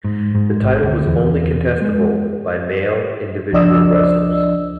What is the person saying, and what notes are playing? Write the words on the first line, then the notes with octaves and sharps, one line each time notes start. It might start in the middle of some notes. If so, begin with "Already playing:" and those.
The title was only contestable by male individual wrestlers.
G#2
G#2
G#1
D2
E2
G#3
C#2 F3 D4 D5 D#5 E6